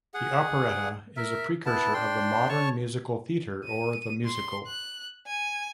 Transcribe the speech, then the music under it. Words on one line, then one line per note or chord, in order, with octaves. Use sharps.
The operetta is a precursor of the modern musical theatre or the "musical".
G#4 F#5
A#4 E5
B3 E4 A5
D4 G5 C6
C#5 A5 C#6
D#7
C6
F#6
G#5